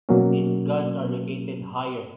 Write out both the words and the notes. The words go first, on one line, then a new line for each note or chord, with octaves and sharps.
Its guns are located higher.
B2 F#3 A#3 C#4